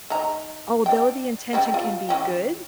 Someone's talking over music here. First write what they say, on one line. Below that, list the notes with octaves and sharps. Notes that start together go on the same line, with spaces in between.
although the intention can be good,
D#3 A#5
D4 G5
C#3 G3 G5
F4
E3 C#4 G5